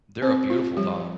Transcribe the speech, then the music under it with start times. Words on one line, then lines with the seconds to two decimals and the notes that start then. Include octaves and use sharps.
They're a beautiful dog.
0.22 C4 C5
0.50 C4 F4
0.77 F3 G3 G4